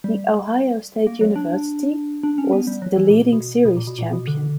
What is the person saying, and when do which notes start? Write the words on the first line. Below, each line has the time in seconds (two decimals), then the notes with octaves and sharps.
The Ohio State University was the leading series champion.
0.04 G3
1.07 A#3
1.21 F#3
1.36 D4
2.23 D4
2.38 C#4
2.53 B3
2.67 G3
2.82 F#3
2.96 E3
3.10 A#2
3.33 B2
3.65 B2
3.77 A#2
3.87 B2
3.98 A#2
4.13 B2
4.27 D3